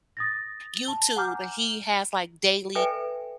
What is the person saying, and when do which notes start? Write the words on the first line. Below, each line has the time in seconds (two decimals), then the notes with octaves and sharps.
YouTube and he has, like, m
0.17 D#6 A6 A#6
0.88 A5
1.16 F#5 G#5 A#5 D6 F6 G6
2.75 A4 B4 D5 E5 G5 G#5